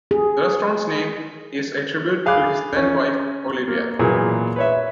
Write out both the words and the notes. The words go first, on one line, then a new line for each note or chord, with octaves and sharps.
The restaurant's name is a tribute to his then-wife, Olivia.
G#4
G#4 F5 B5 D6 F#6
C#4
A#3
A#2 E3 F#3 B3 G#4
B4 C#5 E5